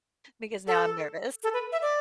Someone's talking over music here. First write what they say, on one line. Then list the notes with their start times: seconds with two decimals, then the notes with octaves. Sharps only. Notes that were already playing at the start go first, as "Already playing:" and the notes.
Because now I'm nervous.
0.67 A4
1.44 A4
1.53 B4
1.72 E5
1.82 D5